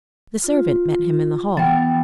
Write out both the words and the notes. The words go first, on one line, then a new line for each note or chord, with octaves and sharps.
The servant met him in the hall.
F4
E3 B3 F#5 G5 A6